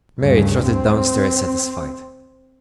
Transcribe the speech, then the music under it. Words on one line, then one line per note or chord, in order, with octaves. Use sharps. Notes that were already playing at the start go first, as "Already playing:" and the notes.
Mary trotted down stairs satisfied.
D2 G2 C#3
C4